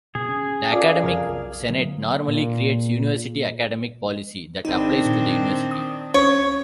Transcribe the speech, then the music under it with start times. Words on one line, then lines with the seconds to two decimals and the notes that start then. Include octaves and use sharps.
The academic senate normally creates university academic policy that applies to the university.
0.15 B2 G#4
0.28 C#4
0.71 F4 A4 D5
1.03 F2 C3 A#4 F5
1.27 B1
1.69 D3 F#3 A#3
2.28 A#2
4.65 G#1 D#3 C4 D4 D#4
5.06 A#2
5.71 D#6
6.14 C2 C#4 C#5